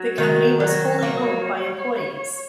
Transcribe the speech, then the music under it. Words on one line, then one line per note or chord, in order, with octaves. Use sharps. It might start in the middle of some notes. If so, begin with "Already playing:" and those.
The company was wholly owned by employees.
Already playing: F#3 F#4
D#3
F#3 C#5
A#3